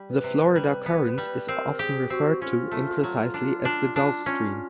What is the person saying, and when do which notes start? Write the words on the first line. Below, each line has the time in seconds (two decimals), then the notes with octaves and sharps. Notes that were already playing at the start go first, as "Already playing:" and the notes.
The Florida Current is often referred to imprecisely as the Gulf Stream.
Already playing: G3
0.09 B4
0.24 C3
0.56 G3
0.86 B3
1.18 G3
1.48 C4 A#4
1.79 G4 G#4
2.10 C4 F#4
2.41 C#4 F4
2.71 A3
3.03 F#3
3.34 D4
3.65 D4
3.96 D4
4.26 C#4 F4